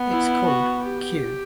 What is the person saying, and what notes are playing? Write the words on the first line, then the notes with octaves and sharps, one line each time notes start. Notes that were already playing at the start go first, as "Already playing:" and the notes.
It is called "Kew".
Already playing: B3
E4
F#4
G4